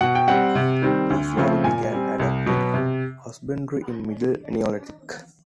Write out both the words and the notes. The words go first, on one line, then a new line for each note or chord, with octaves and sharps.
They slowly began adopting husbandry in middle Neolithic.
B2 F#5
G5
G3 C4 F#5
C3
D#3 G3 C4
D2
C#3 F3 A3 C4
A#2 G#5
G3 C4
C2
B2 F#3 B3
C3